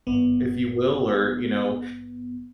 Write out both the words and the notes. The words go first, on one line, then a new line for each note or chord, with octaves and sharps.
if you will, or, you know
G#1 G2 B3